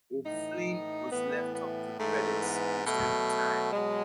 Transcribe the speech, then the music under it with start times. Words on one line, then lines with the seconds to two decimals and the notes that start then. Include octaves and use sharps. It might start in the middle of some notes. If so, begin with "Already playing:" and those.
O'Flynn was left off the credits most of the time.
0.25 A2 E3 D#4
1.11 A2 E3 B3
1.54 B3
1.99 G#2 E3 A3
2.41 B3
2.85 B2 F#3 A3
3.72 B2 F#3 G#3